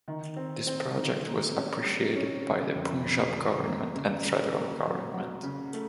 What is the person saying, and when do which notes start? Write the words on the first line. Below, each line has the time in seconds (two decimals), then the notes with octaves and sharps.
This project was appreciated by the Punjab Government and Federal Government.
0.08 D#3
0.36 C4
0.67 C4
0.97 D#3
1.27 A#3
1.56 C#4
1.86 G3
2.16 C#4
2.46 C#3
2.75 F2
3.05 F2
3.35 C#3
3.64 A#3
3.94 C#3
4.24 C#3
4.54 A#3
4.84 F#3
5.13 F#3
5.43 C#3
5.73 A3